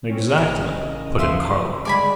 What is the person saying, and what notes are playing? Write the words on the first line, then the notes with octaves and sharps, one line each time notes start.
"Exactly," put in Carlyle.
C4 C#4
A1 C#3 A#4 D#5
C#3 F4 E5 C6
D3 G3 G#3 D5 G#5 B5